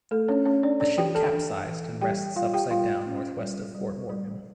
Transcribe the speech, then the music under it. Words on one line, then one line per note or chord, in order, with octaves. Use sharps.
The ship capsized and rests upside down northwest of Fort Morgan.
A3 A4
C#4 D4 C#5
C#4 C#5
D4 D5
D4 D5
E3 G4 G5
A4 A5
D4
E3
G3 G4 G5
G3 F4 F5
G4 G5
G3 F4 F5
C#4
G3
G3
G3